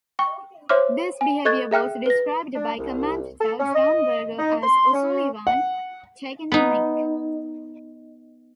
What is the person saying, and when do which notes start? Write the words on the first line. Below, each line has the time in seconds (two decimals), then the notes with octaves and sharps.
This behaviour was described by commentator John Virgo as O'Sullivan "taking the mick".
0.19 G5 C#6
0.69 C5 C#5 E5 C6 D6 F6
1.21 G#5
1.45 A4 D#5 C#6 F#6 G#6 A6
1.71 G#4 E5 G5 F6 F#6
2.06 B4 A#6
2.55 D4
2.77 C2
3.39 A4
3.59 C#4
3.74 D#5
4.38 D#4
4.61 C6
4.93 C#4
5.47 F#5
6.52 B3 D#4